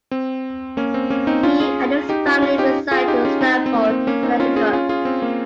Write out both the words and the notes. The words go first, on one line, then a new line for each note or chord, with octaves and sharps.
He and his family reside in Stamford, Connecticut.
C4
A#3 C#4
C4
A#3 C#4
C4 D#4
C#4 F4
F4 G#4
D#4 G4
C#4 F4
C#4 F4
D#4 G4
F4 G#4
D#4 G4
C#4 F4
C4 D#4
C4
A#3
C4
A#3 C#4
C4 D#4
C#4 F4
F4 G#4
C#4 F4
F4 G#4
C4
A#3